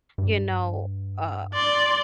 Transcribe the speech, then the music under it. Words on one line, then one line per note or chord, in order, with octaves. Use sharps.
you know, uh
G2
D5 C6